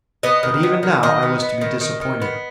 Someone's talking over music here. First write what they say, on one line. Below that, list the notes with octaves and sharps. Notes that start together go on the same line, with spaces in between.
But even now I was to be disappointed.
B3 D#5
D#3
B3
D#3
D#3 D#5
B3
B3
D#3
D#3
D#3
B3